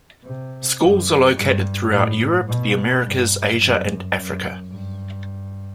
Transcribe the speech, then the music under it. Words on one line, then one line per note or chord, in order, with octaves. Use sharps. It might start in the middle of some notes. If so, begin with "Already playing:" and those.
Schools are located throughout Europe, the Americas, Asia and Africa.
C3
F#2
G2
A2
B2
G2
F#2
F#2
G2